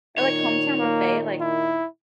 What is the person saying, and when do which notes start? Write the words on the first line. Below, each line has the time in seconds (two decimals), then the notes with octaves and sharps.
Or, like, Hometown Buffet, like
0.18 A#2 D#3 D#4 C#5
0.80 A#3
1.41 E4